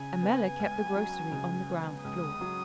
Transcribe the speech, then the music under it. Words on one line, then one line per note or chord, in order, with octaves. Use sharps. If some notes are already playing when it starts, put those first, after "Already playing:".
Ammella kept the grocery on the ground floor.
Already playing: C#3 G#5
B3
C#2
F#3
C#3
B3
C#2 D#6
F#3